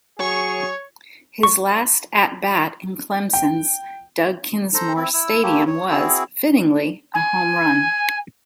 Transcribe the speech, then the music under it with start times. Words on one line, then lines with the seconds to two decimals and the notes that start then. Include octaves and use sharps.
His last at-bat in Clemson's Doug Kingsmore Stadium was, fittingly, a home run.
0.20 F#3 G#4 C#5 C#6
1.43 C#6
3.33 G5
4.74 A4 C5 A#5
4.96 C4 E4
5.14 E4 E6
5.43 A3 A#3 E4 G4
5.68 C#5
5.90 C4 E4 F#4 G#4
7.14 G#5